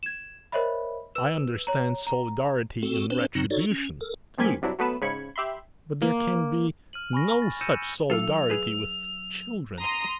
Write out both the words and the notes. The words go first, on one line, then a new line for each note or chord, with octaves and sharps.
I understand solidarity in retribution, too; but there can be no such solidarity with children.
G#6 E7
A#4 C5 C#5 D#5 E5 B5
B4 E6 E7
C#5 A#5
A#5
C4 F#4 A4
C4 D4 B4 C5
F#2 C#3 F#3 C4 D#4
D#4 F#4 A4 C#5 D5
C#4
A4 A#4
C#2 F3 G3 A#3 G#5 B6
G2 C3 F#3 D4 E4
F#3 A3 B3 B4 E7
G#2 C#3 B5 G#6 C#7
G4 E5 B5 C6
A#3
F6 D#7 F#7
G#5 B5 C#6 A#6
A6
E6 G6 A#6 C#7 D#7 E7
F#3 F4 A4 E6 F7
G#4 B4
A#5 C6 D#6